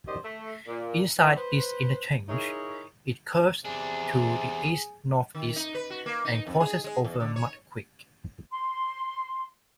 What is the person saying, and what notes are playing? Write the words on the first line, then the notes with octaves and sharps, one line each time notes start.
Inside this interchange, it curves to the east-northeast and crosses over Mud Creek.
F#2 D#3 G4 C5 D5 D#5
A3
A#2
E3 E5
B4 C5
D#4 E4 G#4 A#4 C#5
E2 C3 D4 G#4
D#3
D#4
B4
F#4
A#3
D#4
F2
G#4
G#3
E2
D3
C#5
C6